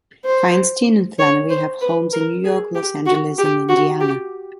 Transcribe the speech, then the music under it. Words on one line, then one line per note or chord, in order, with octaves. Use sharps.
Feinstein and Flannery have homes in New York, Los Angeles, and Indiana.
C5
C#5
C5
B4
A#4
G#4
G4
F#4
G4
F#4
G4